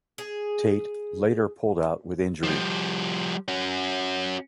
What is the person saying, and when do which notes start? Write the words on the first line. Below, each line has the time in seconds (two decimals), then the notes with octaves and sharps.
Tait later pulled out with injury.
0.18 G#4
2.44 F3 G3
3.48 C#4 F#4